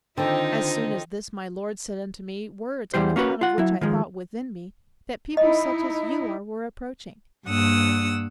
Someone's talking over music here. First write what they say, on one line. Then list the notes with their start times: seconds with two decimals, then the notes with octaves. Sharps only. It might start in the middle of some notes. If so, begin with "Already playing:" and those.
As soon as this my Lord said unto me Words, on account of which I thought within me That people such as you are were approaching.
0.17 D3 D#3 C4 D#4 F4 C5 D6 D#6
2.94 E2 E3 G3 C5
3.16 A#3 C#4 F#4 B4
3.41 F4 F#5
3.58 F#3 E4
3.81 D#3 F3 G#3
5.37 D#4 E4 D#5
7.48 G2 A#3 F#5 D#6 E6